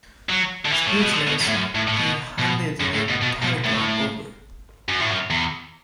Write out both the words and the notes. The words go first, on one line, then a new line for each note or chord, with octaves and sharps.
Speechless, he handed the telegram over.
F#3
D3
E3
A2
B2
D3
B2
E2
A2
F#2
A2
A2
B2
B2
F#2
A2
B2
B2
B2
A2
F#2
A2
F#2
E2